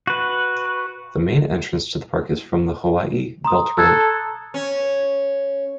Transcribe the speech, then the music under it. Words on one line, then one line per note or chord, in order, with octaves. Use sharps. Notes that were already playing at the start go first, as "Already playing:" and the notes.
The main entrance to the park is from the Hawaii Belt Road.
F#4 B4
A#5 C6 D#6
A4 E6 F#6 G#6
C#4